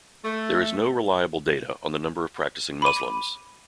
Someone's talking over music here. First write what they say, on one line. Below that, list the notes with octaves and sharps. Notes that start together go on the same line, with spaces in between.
There is no reliable data on the number of practicing Muslims.
A3
B5 D6 D#7